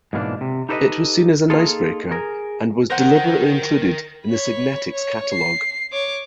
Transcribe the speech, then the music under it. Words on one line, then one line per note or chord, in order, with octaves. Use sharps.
It was seen as "an icebreaker" and was deliberately included in the Signetics catalog.
G#2 B2 E3 A#3 C4 D4
C3
D#4 G4 A4 B4 D5 D#5
A#3 D#4 F4 G#4 A4
G#4 A#4
A#4 C5 F#5 G5
C#5 B5
C#5
C7
C#5 D6